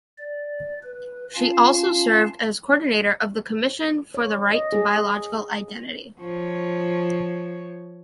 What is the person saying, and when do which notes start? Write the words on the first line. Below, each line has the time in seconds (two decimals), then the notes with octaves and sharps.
She also served as coordinator of the Commission for the Right to Biological Identity.
0.18 D5
0.83 B4
1.35 C#4 F4 F5 A5
4.14 C#5
4.52 D#5
4.72 G#4
6.20 F3 C#5